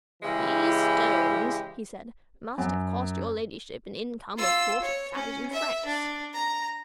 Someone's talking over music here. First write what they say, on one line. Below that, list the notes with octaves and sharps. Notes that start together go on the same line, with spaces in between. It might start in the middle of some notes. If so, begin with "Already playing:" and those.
"These stones," he said, "must have cost your ladyship an income of forty thousand francs."
C#3 E3 G#3 E4 G4
F#2
F4 E6
C#5
C#4
E5
D4
A#5